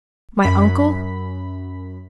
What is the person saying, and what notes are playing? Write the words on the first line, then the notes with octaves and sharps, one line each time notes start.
My uncle?
F#2 B5 B6